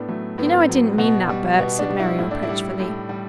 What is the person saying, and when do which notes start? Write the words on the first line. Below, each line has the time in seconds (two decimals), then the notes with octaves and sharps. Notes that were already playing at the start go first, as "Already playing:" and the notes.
"You know I didn't mean that, Bert," said Mary reproachfully.
Already playing: A2 B3 D4
0.09 F#3 A3
0.38 A2 B3
0.46 C4
0.54 B3
0.69 F#3
0.98 B2
1.29 G3
1.59 B2 B3
1.79 D4
1.90 G3
1.99 E4
2.19 A2 E4
2.31 D4
2.43 E4
2.49 G3
2.79 A2
3.09 G3